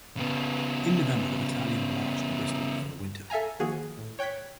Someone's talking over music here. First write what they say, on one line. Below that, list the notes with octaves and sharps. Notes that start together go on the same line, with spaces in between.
In November the battalion marched to Bristol for the winter.
C#3 B3
G2
A4 E5 F5 G#5 A#5
D#3 F3 A#3 F#4 G#4
A2
C#5 G5 F#6 G#6 B6